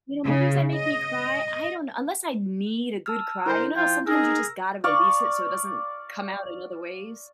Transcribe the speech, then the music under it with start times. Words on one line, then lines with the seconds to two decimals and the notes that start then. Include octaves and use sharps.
you know, movies that make me cry, I don't unless I need a good cry, you know how sometimes you just gotta release it, so it doesn't come out in other ways?
0.24 C#3
0.75 D#5
3.06 A5 E6 F6
3.46 D3 E4 A#4 C5 G6
3.76 F3 F4 G5
4.06 D#4 G#4 A#4 E6
4.84 D5 F5 C#6